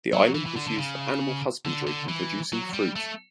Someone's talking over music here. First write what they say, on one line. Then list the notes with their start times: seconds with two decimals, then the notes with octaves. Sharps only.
The island was used for animal husbandry and producing fruit.
0.13 F#3
0.35 E3
0.46 E3
0.56 D3
0.67 D3
0.79 C#3
1.65 D3
1.87 D3
2.08 E3
2.52 F#3
2.74 G3
2.96 A3